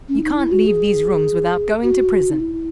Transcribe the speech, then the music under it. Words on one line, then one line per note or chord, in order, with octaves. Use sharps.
You can't leave these rooms without going to prison.
C#4
E4
D#4
E4
F#4
G#4
F#4
D#4
E4